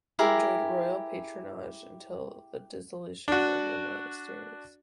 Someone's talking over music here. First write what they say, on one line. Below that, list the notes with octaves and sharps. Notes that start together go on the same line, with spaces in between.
It enjoyed Royal Patronage until the dissolution of the monasteries.
E4 G4 G#4 A#4
D4 F#4